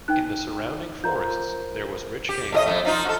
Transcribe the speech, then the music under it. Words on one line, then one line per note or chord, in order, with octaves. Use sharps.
In the surrounding forests there was rich game.
D#4 B4 G5 G#5 F#6
F4 A#4 C5 A#5 G6
G4
A2 G4 D#5
F2 A2 A3
F3 D#4 F4
F#4 A4